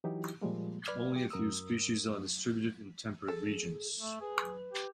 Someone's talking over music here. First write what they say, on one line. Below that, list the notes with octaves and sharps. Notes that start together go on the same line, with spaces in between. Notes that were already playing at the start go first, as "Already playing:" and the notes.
Only a few species are distributed in temperate regions.
E3 F#3 D#4 E4 G4
A#2 F3 G3 G#3 A#3
B4 D5 F6 G#6
G4
F#2 A#4 D#6 E6
G#4 A4
A3
G#4 B4
G4